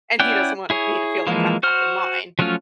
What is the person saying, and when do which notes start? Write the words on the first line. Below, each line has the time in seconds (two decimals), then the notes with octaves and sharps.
and he doesn't want me to feel like I'm back in mine,
0.20 C#4 E4 D5 F#5 G5
0.70 E4 G#4 C#5
1.27 E3 F3 G#3 A#3
1.63 F#4 C5 F6
2.39 F3 F#3 A3 C#4 F4